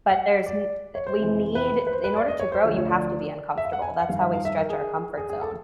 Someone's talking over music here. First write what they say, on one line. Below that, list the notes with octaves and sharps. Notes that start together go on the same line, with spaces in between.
But there's n we need in order to grow, you have to be uncomfortable, that's how we stretch our comfort zone.
F#5
D5
C#5
C5
F2 C3 E3
B4
B4
C5
B4
D5
D#5
C#5
C5
D2 D3 F3 C#5
C#5
D5
E5
F5
F#5
G#5
F#5
G2 D#3 F5
E5
F5
E5
A#4
G#4
G#4
G#4
A4